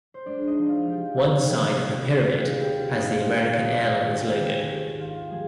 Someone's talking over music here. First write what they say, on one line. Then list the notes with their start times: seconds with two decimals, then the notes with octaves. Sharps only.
One side of the pyramid has the American Airlines logo.
0.14 C5
0.26 G#3 D4 D5
0.47 D#4 D#5
0.58 F3 D#5
0.69 F4 F5
0.87 F3 G4 G5
1.21 C3
1.53 D#2
1.84 D#2
2.13 D#2 F4 F5
2.32 G#4 G5 G#5
2.47 D#2 G#5
2.57 G4 G5
2.76 A#1 F4 F5
2.99 D#4 D#5
3.10 A#1
3.20 F4 F5
3.41 A#2
3.73 G#3
4.04 D#3 G4 G5
4.25 G4 G5
4.36 G#1
4.45 G#4 G#5
4.57 G#5
4.65 G#1 G4 G5
4.97 D#3 F4 F5
5.30 F3 G#3 G#4